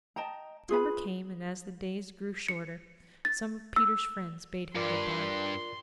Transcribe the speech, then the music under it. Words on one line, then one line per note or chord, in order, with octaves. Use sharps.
September came, and as the days grew shorter, some of Peter's friends bade him good-by.
D#5 G5 A5 A#5
F4 G#4 B4 B5
C#7
A6
E6
G2 F4 A#4 D5 C6